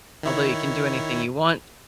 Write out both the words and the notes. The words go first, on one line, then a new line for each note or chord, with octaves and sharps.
although you can do anything you want,
D#3 E4 C#5